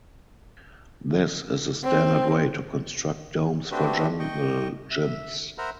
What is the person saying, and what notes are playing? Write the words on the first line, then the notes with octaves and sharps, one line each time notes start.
This is the standard way to construct domes for jungle gyms.
C4
A3 C4 D4 F#4 G4 B4
D#5 G5 C#6
E5
A#4 C5 E5 F#5 A#5 B5